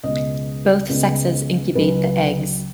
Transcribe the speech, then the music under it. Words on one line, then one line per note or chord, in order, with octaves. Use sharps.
Both sexes incubate the eggs.
C#2 B2 G#3 D#5
C#2 C#3 G#3 B3
C#2 C#3 F#3 C#4 B4
B4